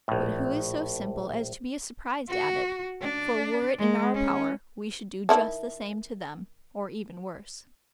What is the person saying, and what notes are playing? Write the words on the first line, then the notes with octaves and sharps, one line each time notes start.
But who is so simple as to be surprised at it? for were it in our power, we should do just the same to them, or even worse.
A#1 A2
F#4
D4
G#3
C#4
D#3 E4 A5